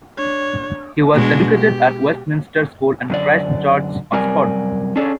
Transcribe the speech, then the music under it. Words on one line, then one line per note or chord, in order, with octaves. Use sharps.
He was educated at Westminster School and Christ Church, Oxford.
D4 C#5
B2 G#3 D4
G4
F#2 D3 D5
F#2 C3 G3 A#4 D5 G#5
C#4 D4 G#4 A4 C#5 D5